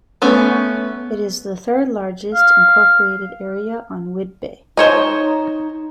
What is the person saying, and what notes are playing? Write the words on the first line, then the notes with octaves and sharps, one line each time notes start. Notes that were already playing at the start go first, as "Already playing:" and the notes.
It is the third largest incorporated area on Whidbey.
A3 B3 C#4
F5
D#4 C5 C#5 D#5